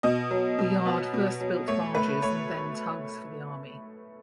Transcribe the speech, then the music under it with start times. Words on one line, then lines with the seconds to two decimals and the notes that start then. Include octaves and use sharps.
The yard first built barges and then tugs for the Army.
0.03 B2 D#5
0.31 F#3
0.59 B2
0.86 B3
1.13 B2
1.41 F#3
1.68 A3 C#5
1.95 A3 B4
2.22 A3 C#5